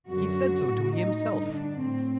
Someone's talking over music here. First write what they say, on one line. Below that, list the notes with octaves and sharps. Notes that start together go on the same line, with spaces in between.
He said so to me himself.
F#2 D3 F#4
A2
D#4
G2 D3
D4
A2 C4